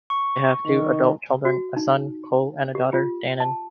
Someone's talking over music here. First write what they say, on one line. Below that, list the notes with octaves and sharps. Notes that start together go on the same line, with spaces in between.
They have two adult children: a son, Cole, and a daughter, Dannon.
C#6
D#3
F#4
D#4
G4
F4
A5